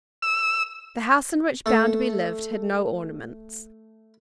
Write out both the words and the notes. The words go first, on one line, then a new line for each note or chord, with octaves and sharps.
The house in which Bounderby lived had no ornaments.
E6
A3 A4